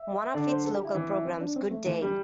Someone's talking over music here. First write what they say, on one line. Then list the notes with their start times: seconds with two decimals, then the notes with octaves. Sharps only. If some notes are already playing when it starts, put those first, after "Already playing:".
One of its local programs, Good Day!
Already playing: E5
0.34 D3 D5
0.49 C5
0.65 A4
0.75 G4
0.85 E4
0.95 E3 C4
1.10 E4
1.25 C4
1.41 D4
1.56 C4
1.71 A3
1.86 E3 A3
2.02 G3 G4